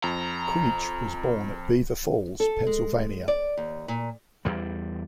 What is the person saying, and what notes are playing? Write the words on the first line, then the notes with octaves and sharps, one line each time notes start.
Creach was born at Beaver Falls, Pennsylvania.
F2 A#5
A4
G#3
D5
D#2
A#2
E2 G3